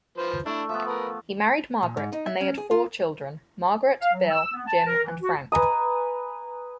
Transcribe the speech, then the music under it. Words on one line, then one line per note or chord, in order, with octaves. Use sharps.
He married Margaret and they had four children Margaret, Bill, Jim and Frank.
F3 B4 C5
A3 D4 E4
F3 B3 E5
A#4 B4
A#2
G#2
D#4
E5
C#4
G#4
F4
F5
F#3
E6
B3
A5
A#4
E3
F#4
B4 G#5 A#5 D#6